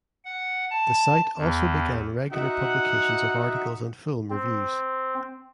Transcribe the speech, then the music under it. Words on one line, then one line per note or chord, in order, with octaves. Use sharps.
The site also began regular publications of articles and film reviews.
F#5
A5
E2
D#4 F#4 E5 F#5
C4